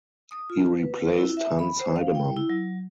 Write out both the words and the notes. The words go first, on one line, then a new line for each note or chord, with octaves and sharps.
He replaced Hans Heidemann.
D#6
F4
B4
E4
E5
B5
C5
F5
G5
E4
F#3